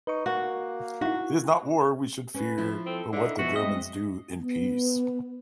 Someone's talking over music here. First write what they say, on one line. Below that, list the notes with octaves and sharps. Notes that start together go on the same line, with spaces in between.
It's not war we should fear, but what the Germans do in peace.
D#4 B4 C#6
A#3 F#4
D#4 E4 F#4
C#4 B4
F3 E4
C4 A4
D3 D#4 E4 E5
B2 F3 B3 F#4
G#3 C4 D#5
B3